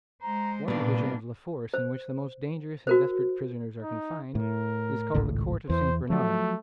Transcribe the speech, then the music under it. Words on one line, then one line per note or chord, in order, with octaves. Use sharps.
One division of La Force, in which the most dangerous and desperate prisoners are confined, is called the court of Saint-Bernard.
G#3 C5 A#5
G2 A#2 A#3 B3 D4 B4
C5
F#4 A#4 C5
D#4
A2 A#4
G#1 C#2 A2
E2 E3 C5
F3 F#3 A3